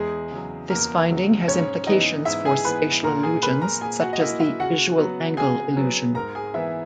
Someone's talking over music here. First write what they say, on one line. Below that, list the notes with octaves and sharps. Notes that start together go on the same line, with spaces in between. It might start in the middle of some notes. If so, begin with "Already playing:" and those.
This finding has implications for spatial illusions such as the visual angle illusion.
Already playing: E2 G#3 G#4
C#3 F#3
E2 A#3 A#4
C#3 F#3
G#2 C#4 C#5
E3 B3 D#4 D#5
G#2 E4 E5
G#4 G#5
E3 B3 B4 B5
A#2 A#4 A#5
G#4 G#5
A#3 B4 B5
A#4 A#5
A#2 G#4 G#5
F#4 F#5
D#5
A#3 E4 E5
E4 E5
C#3 F#4 F#5
F#3 B3
C#3 G#4 G#5
F#3 B3
G#2 A#4 A#5
G#4 G#5
E3 B3 E4 E5